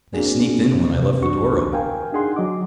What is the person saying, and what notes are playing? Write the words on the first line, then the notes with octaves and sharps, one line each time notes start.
They sneaked in when I left the door open.
A#3 C4 D4 F#4 G#4
D#2 C3
C2 F2 D4 F#4 C#6
A#4 F5 G5 G#5
D4 D#4 G#4 F#5 C6
F#3 D#5 D6